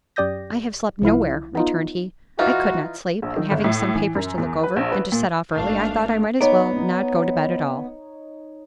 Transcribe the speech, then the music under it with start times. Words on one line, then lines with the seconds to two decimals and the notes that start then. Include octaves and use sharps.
"I have slept no where," returned he; "I could not sleep--and having some papers to look over, and to set off early, I thought I might as well not go to bed at all."
0.16 F#2 G4 D5 D#6 G6 A#6
1.02 C2 F3 E4 F5
1.55 B3 D#4 F4
2.39 E3 D#4 F4 F#4
3.22 A#1
3.36 D#3
3.51 G1
3.64 A2
3.95 E3
4.15 F#2
4.38 E2
4.63 B4
4.76 A#1
4.92 B4
5.12 A#2
5.54 G#1 A3 D4 F5
6.41 B3 D#4 C#5 D5